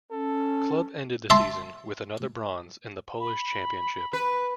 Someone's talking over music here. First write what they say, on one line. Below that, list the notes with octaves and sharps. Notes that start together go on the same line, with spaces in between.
Club ended the season with another bronze in the Polish Championship.
C#4 A4
E5 A5 C6
B5
B4